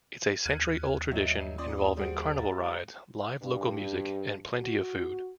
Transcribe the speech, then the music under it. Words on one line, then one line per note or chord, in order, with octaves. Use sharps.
It's a century-old tradition involving carnival rides, live local music, and plenty of food.
D#2 F6 F#6 G#6 D#7
F#3 C#5 D#5 E5
A#3 C#4 F4 D5 C6 D#6
G3 F#4 G#4 C5 D7
F5 A#5 A6
G2
F#4